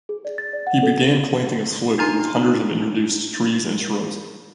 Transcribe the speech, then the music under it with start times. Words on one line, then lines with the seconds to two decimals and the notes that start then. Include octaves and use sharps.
He began planting a slope with hundreds of introduced trees and shrubs.
0.09 G#4
0.25 D5
0.38 A6
0.53 D5
0.67 F#5
0.83 A4
1.98 D4 D#4 A#5 C6